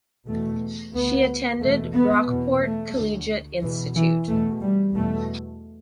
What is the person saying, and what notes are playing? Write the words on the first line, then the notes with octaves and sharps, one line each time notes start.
She attended Brockport Collegiate Institute.
E2 B2 A3
D2 B3
E2 B2 A3
B3
E2 B2
A3
D2
E2 B2 E3
E3
E2 B2 A3
G3
E2 B2 A3